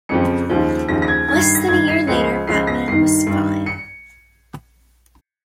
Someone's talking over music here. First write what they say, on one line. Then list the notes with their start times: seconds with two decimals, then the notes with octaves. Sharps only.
Less than a year later, Batman was fine.
0.09 F2 C#3 F3 C#7
0.49 D#2 C#3 F3
0.89 D#2 C#3 F3 A#6
1.02 A#6
1.08 G#6
1.28 G2 D#3 G#6
1.41 C7
1.55 A#6
1.68 G2 D#3 G#6
1.88 C7
2.07 C#2 C#3 F3 C#7
2.47 C#2 C#3 F3 C7
2.67 A#6
2.87 G2 D#3 C7
3.27 G2 D#3
3.66 C#7